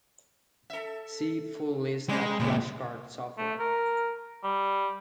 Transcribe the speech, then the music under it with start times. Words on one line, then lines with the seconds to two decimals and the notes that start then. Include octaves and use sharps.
See full list of flashcard software.
0.70 A4 E5
2.09 C3 G#3 C4
2.40 C#2 A#2 G3
3.38 A3
3.59 A#4
4.43 G3